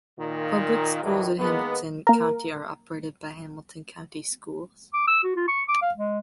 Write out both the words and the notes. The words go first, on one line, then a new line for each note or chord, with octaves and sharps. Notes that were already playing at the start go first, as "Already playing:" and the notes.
Public schools in Hamilton County are operated by Hamilton County Schools.
A#2 D#3
A2 D#3 E3 F#3 G3
D#3 G#3 A#3 B3
A#3 A#4
D6
E6
F#4
F4
C#6
D6
F5
G#3